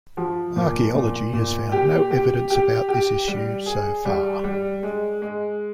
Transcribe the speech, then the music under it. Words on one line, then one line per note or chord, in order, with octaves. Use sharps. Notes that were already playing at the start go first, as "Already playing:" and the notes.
Archeology has found no evidence about this issue, so far.
F3
A#2
A#2
A#2
G4
G4
G4
G4
G3
G#4
G3
G3
G#3
G#3